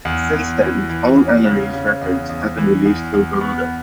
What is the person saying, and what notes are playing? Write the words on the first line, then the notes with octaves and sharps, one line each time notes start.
Since then all Emery's records have been released through Garuda.
E2
E2
E3
E3
E2
C#3
C#3
E2
E2
E3
E2
E2
B3